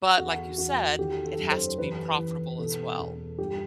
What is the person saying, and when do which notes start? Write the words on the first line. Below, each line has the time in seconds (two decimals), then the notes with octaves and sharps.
but, like you said, "It has to be profitable as well."
0.18 E2 F#4
0.58 E2 F#4
0.99 D#3 G4
1.25 A4
1.38 F#2
1.51 C5
1.78 E3 B4
2.18 E3
2.58 B2 A4
2.99 E2
3.38 G2 G4